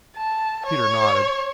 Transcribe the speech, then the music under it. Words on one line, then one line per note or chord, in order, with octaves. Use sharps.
Peter nodded.
A5
C#5